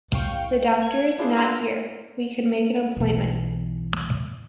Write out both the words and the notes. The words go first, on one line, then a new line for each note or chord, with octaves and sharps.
The doctor's not here, we can make an appointment.
C2 F5 G5 C#6
G#6
D4 E4 F4 G#4 C5
B4 E5 F5 A#5 C6
B1 E3